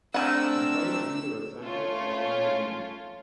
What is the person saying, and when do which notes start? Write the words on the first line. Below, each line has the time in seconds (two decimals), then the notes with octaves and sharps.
He played as either a centre or on the wing.
0.14 A3 C4 D4 A#4 F#5 G#5 E6
1.63 A3 C#4 F4 C#5